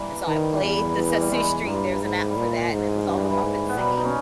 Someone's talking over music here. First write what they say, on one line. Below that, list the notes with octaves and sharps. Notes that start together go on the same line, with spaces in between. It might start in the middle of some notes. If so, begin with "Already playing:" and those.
And, so I played the Sesame Street, There's an App for That, and it was all the Muppets singing
Already playing: E3 G3 A#3
D#3
E3
E2 G3
E2
E3
G3
E2 G#3
G2 G3 A#3
G#2
G3
A#2 G#3
G#2
G2 E3
G3
E3
G#2
B3
B2 G3 A#3
D#4
C#4